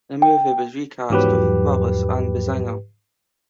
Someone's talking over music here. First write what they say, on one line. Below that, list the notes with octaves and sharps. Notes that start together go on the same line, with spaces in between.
The movie was re-cast with Willis and Basinger.
G5
E2 G#2 F3 F#3 G4 B4